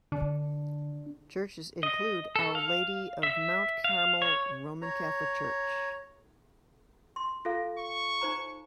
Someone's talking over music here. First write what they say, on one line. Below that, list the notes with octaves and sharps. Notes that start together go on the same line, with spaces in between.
Churches include Our Lady of Mount Carmel Roman Catholic Church.
D3 D4
D#5
A4
F5
E5
F5
C#5
C#5 A#5
C6
F4 A4 F5
C#6
D#4 C5 A#5